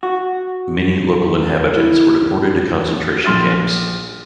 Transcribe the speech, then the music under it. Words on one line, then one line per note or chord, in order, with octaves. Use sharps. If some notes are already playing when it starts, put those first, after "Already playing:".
Many local inhabitants were deported to concentration camps.
F#4
E4
A#1 C6 F6 A6